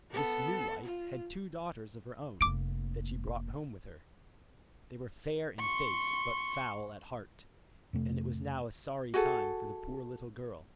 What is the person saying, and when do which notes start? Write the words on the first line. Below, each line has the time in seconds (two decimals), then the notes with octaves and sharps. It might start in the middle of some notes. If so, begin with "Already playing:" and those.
This new wife had two daughters of her own, that she brought home with her; they were fair in face but foul at heart, and it was now a sorry time for the poor little girl.
0.11 B3 A4
0.85 F4
2.41 F1 A#3 D6 D7
5.60 C6 C#6
7.93 F2 C3 A3
9.14 F#4 G#4 A4